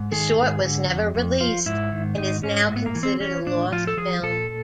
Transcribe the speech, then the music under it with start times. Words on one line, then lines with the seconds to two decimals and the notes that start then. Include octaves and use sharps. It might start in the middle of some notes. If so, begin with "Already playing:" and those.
The short was never released and is now considered a lost film.
Already playing: G#2
0.12 D#3 G#4
0.38 G#2
0.63 D3
0.89 F2
1.15 F2
1.40 F3 F4
1.66 G#2 E4
1.92 D#3
2.18 G#2 D#4
2.43 G#2 C#4
2.69 A2
2.76 B3
2.86 A#3
2.95 E3
3.03 C4
3.20 E3 C#4
3.46 A2 D4
3.72 F3 F4
3.87 A4
3.97 F3 G#4
4.23 A#2 A4